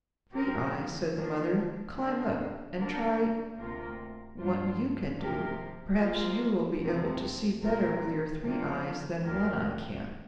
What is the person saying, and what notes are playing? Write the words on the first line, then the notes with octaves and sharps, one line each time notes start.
"Three Eyes," said the mother, "climb up, and try what you can do; perhaps you will be able to see better with your three eyes than One Eye can."
F3 C4 G4 A#4
F3 A#3 D4
D3 A#3 D4
D3 A#3 D4 A#4
D2 C3 A#3 F4 A#4
G2 G3 D4 F4 C5
C3 F3 A#3 G4 A#4
F3 A#3 F4 C5
F2 C3 F3 C4
A#2 G3 C4 A#4
C3 F3 A#3 D4 F4
D2 D3 A#3 G4 A#4